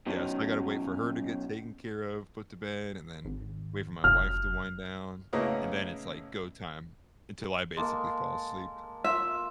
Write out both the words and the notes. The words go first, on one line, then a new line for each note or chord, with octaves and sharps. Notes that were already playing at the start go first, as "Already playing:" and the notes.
Yes. I gotta wait for her to get taken care of, put to bed, and then wait for my wife to wind down. And then it's, like, go time until I basically fall asleep.
B2 F#3 C#4 D#4
G#1
F1 F6
A2 C#3 A#3 B3 C#4 D#5
G#3 A#3 A4
F4 E5